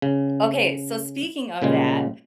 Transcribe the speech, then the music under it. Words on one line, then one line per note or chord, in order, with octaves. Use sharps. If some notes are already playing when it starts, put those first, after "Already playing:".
Okay, so speaking of that,
C#3
A#2 C#3 G3 G#3